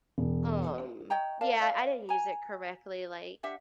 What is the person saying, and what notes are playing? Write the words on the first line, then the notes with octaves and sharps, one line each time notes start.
um yeah, I didn't use it correctly, like,
E1
C#5 D#5 G5 A#5
A#4 D5 F5 A5
D5 F5
G#5 A#5
D4 G4 E5 F#5